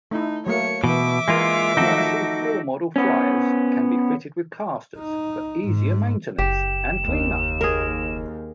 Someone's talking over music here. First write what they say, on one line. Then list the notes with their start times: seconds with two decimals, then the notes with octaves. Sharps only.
Commercial floor-model fryers can be fitted with casters for easier maintenance and cleanup.
0.11 A3 D#4 E4
0.46 F#3 A3 A#3 C#5 C#7
0.84 B2 E3 E5 D6
1.28 E3 G#3 A#3 E4 F4 A#4
1.77 D#3 F3 A3 D#4 F#4 A4
2.96 B3 C#4
4.98 D#4
5.64 G#2
6.38 F#1 G4 E7
7.02 D#2
7.61 G#4 A#4